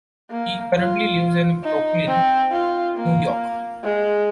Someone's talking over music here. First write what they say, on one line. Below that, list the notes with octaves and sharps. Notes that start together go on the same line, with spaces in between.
He currently lives in Brooklyn, New York.
A#3
F4
D#4
C4
F4
A#3
G#3